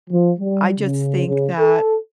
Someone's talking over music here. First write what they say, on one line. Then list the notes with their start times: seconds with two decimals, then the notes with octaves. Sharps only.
I just think that,
0.10 F3
0.40 G3
0.79 C#3
1.27 C#3
1.60 A4